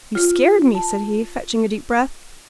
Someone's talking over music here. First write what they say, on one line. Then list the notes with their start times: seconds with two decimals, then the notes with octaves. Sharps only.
"You scared me!" said he, fetching a deep breath.
0.15 F4
0.75 A5